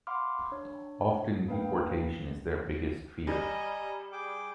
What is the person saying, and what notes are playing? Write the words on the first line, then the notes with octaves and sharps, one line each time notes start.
Often deportation is their biggest fear.
F5 F#5 B5 C6 D6 F6
D4 C#5
A#3 D4 B4 F5 G5
G3 D#5 G#5 A#5
G#4 G5 D6